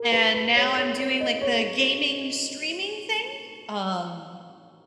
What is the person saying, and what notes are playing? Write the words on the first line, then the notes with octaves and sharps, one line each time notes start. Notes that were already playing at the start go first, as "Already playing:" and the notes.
And now I'm doing like the gaming streaming thing, um
Already playing: A#4
B4
B4
C#5
C#5
C#5
D#5
C#5